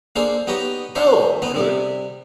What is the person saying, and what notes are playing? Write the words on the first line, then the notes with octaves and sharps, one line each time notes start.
Oh, good.
A#3 D4 G#4 A4 C5
B3 D#4 G4 C#5 A#5
D4 D#4 C5 E5 F#5
B3 C4 D#4
C3 G3 C4